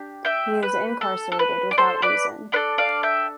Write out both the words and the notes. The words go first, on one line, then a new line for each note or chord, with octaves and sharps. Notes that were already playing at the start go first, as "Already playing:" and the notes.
He is incarcerated without reason.
Already playing: D4 G4
E5 G5
B4
A4
A4
B4
D5
A4 C5
B4 D5
D4 A4 B4 D5
D5 F5
E5 G5